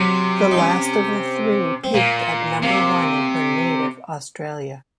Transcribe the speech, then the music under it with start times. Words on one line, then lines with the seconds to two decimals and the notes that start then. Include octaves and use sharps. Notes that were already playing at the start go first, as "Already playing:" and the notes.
The last of the three peaked at number one in her native Australia.
Already playing: C3 F#3
0.51 D#4
0.57 C#4
1.84 C4
1.94 A#2 A#3
2.62 C3 A#3